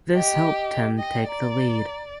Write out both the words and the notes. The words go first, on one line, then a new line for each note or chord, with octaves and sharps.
This helped him take the lead.
G4 D#5
D#5 G5
D5 A#5